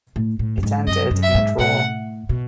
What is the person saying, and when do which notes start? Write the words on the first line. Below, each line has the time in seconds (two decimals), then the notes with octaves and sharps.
It ended in a draw.
0.16 A2
0.39 A2
0.58 F#2
0.63 G#2
0.87 F#2 D#5
1.11 F#2
1.23 E5
1.35 G#2
1.59 A2 F#5
2.29 B2